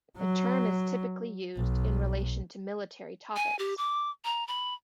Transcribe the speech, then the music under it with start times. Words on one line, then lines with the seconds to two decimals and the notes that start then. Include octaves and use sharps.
The term is typically used in relation to military topics.
0.17 F#3
1.56 B1
3.36 G#5
3.59 G4
3.78 D6
4.24 A#5
4.48 B5